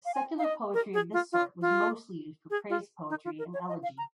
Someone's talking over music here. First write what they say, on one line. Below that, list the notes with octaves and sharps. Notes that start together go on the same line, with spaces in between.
Secular poetry of this sort was mostly used for praise poetry and elegy.
F5
G#5
F5
D#5
A#4
G#4
F4
F4
F4
G#4
F4
D#4
F4
A#4
C#5
D#5
F5
A#5